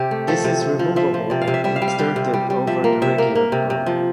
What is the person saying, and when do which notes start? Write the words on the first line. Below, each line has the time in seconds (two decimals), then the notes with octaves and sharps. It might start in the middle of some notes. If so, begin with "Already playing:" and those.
This is removable and inserted over the regular cover.
Already playing: C3 G4
0.11 A3
0.28 F3 A4
0.44 C3
0.61 C3
0.79 F3
0.96 F3 E5
1.14 F3
1.30 C3 D5
1.42 F5
1.47 C3
1.54 E5
1.64 G3 E5
1.76 F5
1.82 G3
1.88 F5
1.99 G3
2.16 C3
2.34 G3
2.50 G3
2.67 F3 E5
2.84 A#3
3.02 C3 E5
3.18 A#3
3.35 A#3
3.52 C3
3.70 C3
3.86 F3